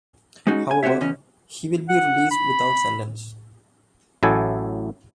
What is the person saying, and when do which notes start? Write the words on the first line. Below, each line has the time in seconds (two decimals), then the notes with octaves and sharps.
However, he will be released without sentence.
0.47 G#3 C#4 D#4 F#4
0.71 G#5
0.83 C4 F#4 G4 C#5 E5
1.01 E2 C#3 C#4 D#5
1.89 F#5
2.31 B5
4.23 A1 A2 F#3 E4 A4 G#5